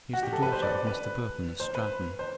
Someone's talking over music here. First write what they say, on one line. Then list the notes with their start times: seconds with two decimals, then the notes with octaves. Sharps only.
"She is the daughter of Mr. Burton of Stratton."
0.13 F#4
0.23 G4
0.33 A4
0.43 B4
0.52 C5
0.62 D5
0.87 B4
1.60 C5
1.75 B4
2.19 C5